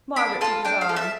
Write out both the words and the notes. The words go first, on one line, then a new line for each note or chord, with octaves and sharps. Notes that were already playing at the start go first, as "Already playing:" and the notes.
Margaret took his arm.
D4 B5
F4 A4 A5
D4 G5
F5
A4
E5